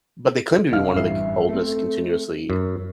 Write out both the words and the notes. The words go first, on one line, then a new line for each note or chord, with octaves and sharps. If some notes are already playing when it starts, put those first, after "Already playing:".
but they claim to be one of the c oldest continuously
F1 D#5 F5 F6
A1 G2 E5 C7
A3 C4 A4
F#2